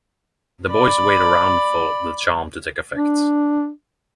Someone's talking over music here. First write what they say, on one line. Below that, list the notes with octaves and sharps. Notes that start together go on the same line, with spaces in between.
The boys wait around for the charm to take effect.
D5 B5
D4